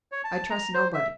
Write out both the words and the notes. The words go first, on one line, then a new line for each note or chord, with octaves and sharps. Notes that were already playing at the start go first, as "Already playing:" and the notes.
I trust nobody.
C#5
A5
A#5
C5
E5